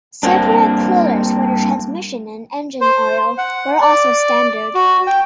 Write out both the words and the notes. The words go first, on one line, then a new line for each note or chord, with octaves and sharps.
Separate coolers for the transmission and engine oil were also standard.
G2 A#3 C4 D4
C5
F#5
D5
F#4
G5